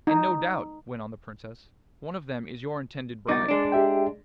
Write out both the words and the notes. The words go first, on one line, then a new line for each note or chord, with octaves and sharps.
'And no doubt,' went on the Princess, 'one of them is your intended bride?'
D#4
C2 B2 D#4 D6 A6
G#3 D4
G4 E5 G5